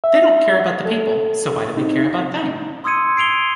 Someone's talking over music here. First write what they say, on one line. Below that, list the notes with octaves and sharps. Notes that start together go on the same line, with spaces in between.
They don't care about the people, so why do we care about them?
E5
A4
C4 D#4
C6 D#6 E6 G#6 C#7 D#7
C7 D7 F7 G7